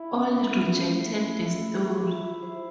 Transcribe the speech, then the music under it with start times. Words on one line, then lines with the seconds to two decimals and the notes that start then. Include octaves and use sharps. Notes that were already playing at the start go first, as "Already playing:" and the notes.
All rejected the story.
Already playing: E4
0.13 C#4
0.31 C#4
0.51 A4
0.70 C#4
0.89 A3 E4
1.08 A3
1.28 A4
1.47 E5
1.66 G#4
1.85 E5
2.04 F4
2.24 E5
2.42 C5